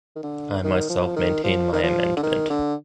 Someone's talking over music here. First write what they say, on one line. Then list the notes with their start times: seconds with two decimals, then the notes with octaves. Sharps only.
I myself maintain my amendment.
0.16 D#3
0.23 D3
0.64 D#3
0.90 F3
1.16 D#3
1.44 F3
1.73 D#3
1.84 F3
2.17 D3
2.23 D#3
2.50 D3